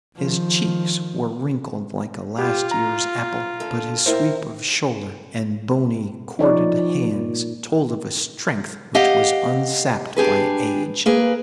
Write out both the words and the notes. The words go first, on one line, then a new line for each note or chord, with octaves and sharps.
His cheeks were wrinkled like a last year's apple, but his sweep of shoulder, and bony, corded hands, told of a strength which was unsapped by age.
D#3 F3
F4 G4
A#5
D3 A4
E4 A#4 C5 G5
F3 D#4 C#5 D5
A#2
G4 D#5 F5 F#5
D4 G4 G#4 B4
A#3 G#4 B4